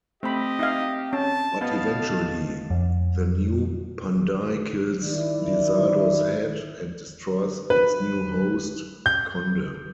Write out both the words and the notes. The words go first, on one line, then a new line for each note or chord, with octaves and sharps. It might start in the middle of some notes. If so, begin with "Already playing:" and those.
But eventually, the new Panday kills Lizardo's head and destroys its new host, Konde.
A3 C4 G4 D#5 B5
D#4 E5 F5
C#4 A5
B3 D#5 F5 A5
F2
D#3 E4 D5
B4
G6